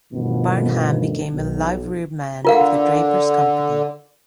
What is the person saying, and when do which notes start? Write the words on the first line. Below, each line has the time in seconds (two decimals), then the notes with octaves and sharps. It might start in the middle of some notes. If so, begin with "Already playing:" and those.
Barnham became a liveryman of the Drapers' Company.
0.12 A1 D2 G2 B2 D#3 F3
1.32 B1
2.45 D3 F4 A#4 F5